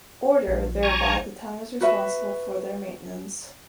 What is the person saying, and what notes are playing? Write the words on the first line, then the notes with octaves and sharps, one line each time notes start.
Order, thereby the town is responsible for their maintenance.
A#1
G#5 A#5 C#6
F#4 B4 E5